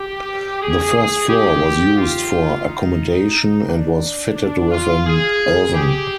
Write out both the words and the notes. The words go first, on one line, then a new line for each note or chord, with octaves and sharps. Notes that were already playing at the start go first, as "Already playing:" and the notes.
The first floor was used for accommodation and was fitted with an oven.
Already playing: G4
G#4
G4
F4
D#4
D4
D4
F4
G#4
G4